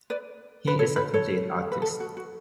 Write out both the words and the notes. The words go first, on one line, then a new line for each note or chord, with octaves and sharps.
He is a complete artist.
B4 D5
B4
A4 C#5
B4
A4 C#5
B4
A4
F#4
F#4